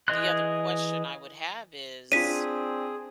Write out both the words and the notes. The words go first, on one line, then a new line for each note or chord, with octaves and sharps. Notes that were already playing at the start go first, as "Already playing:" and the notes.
the other question I would have is
E3 G#4 D#5 C6 F#6
C4 D4 F4 G#4 B6 D#7